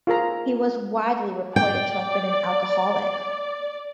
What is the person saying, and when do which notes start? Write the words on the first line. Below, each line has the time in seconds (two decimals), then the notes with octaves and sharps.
He was widely reported to have been an alcoholic.
0.07 F4 G#4 A#4 A#5
1.56 D5 G5